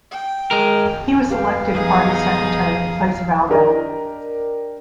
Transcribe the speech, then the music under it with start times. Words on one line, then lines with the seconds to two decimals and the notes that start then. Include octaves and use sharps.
He was elected party secretary in place of Al-Daud.
0.11 G5
0.51 G#3 A#4
1.30 G4 B4 F5
1.73 B2 F3 D#4 G#4 D#6
3.49 D4 G4 A#4 D#5